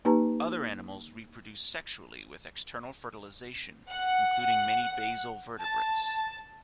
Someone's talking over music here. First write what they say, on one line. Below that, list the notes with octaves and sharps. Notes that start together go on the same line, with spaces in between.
Other animals reproduce sexually with external fertilization, including many basal vertebrates.
A#3 D#4 G4 B4 A5 A#5
F#5
A5